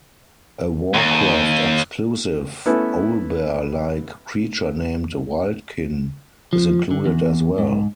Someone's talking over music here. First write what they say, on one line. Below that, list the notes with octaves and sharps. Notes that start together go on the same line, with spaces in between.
A "Warcraft"-exclusive owlbear-like creature named wildkin is included as well.
D#2
A3 B3 C#4 E4 A4 B4
F3
D3
E2
G#2